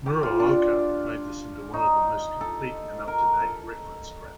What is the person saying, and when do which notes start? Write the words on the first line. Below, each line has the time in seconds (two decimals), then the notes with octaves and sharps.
Muraoka made this into the most complete and up-to-date reference grammar.
0.06 G4
0.23 F4
0.40 D4
1.74 D#4
2.41 A4
3.08 A#4
3.40 A4